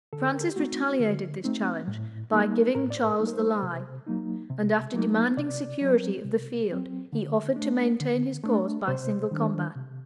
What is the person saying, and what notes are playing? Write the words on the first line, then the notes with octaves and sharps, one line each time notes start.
Francis retaliated this challenge, by giving Charles the lie; and, after demanding security of the field, he offered to maintain his cause by single combat.
D3 A4
C5
A#4
A4
G4
A3 C4 D#4 F#4
D3
A3 C4 D#4
A2
G3 A#3 D#4
A2 A#4
D5
C5
A#4
G3 A#3 D#4
A#4
C5
C3
F#3 A#3 D#4
C3
F#3 A#3 D#4
C3 D5
F#3 C4
C3
F#3 C4
D3
A3 D4
D3
A3 D4
C3 C5
D#3 G3 D4
C3